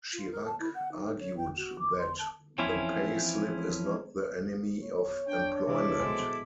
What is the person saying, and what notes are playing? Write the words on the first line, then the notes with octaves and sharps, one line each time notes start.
Chirac argued that "the pay slip is not the enemy of employment".
F4
A#4
A5
E4
F#5
D#4
C#5
G5
F#4
D6
C6
A5
E3 F3 C4 C#4 E4
C#5
D4 G5
C3 E3 G#3 E4 A4 D6
A#1 B2 G#3 C5